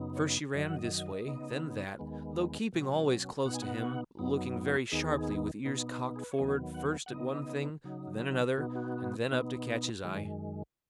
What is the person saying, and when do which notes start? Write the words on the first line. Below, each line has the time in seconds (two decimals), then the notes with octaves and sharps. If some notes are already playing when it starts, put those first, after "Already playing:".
First she ran this way, then that, though keeping always close to him, looking very sharply with ears cocked forward first at one thing, then another and then up to catch his eye.
Already playing: F#2 C#3 B3 D#4
0.17 C#5
0.53 F#2 D#3 F#3 D#5
0.65 F#5
0.76 D#5
1.26 C#3 B3 D#4
1.99 D#2 D#3 G#3 B3
2.73 B2 F#3 C#4
3.45 B2 B3 D#4 F#5
3.54 G#5
3.62 F#5
4.19 F#2 F#3 B3 D#4
4.91 D#2 D#3 B3 D#4 G#4
5.65 B2 B3 D#4
6.16 G#4
6.24 B4
6.31 C#5
6.39 D#2 D#3 F#3 B3 D#5
6.74 F#5
7.06 F#5
7.11 C#3 B3 D#4 D#5
7.84 C#3 F#3 D#4
8.57 B2 B3 D#4 F#4
8.75 F#4
9.31 B2 B3 D#4
10.04 F#2 D#3 G#3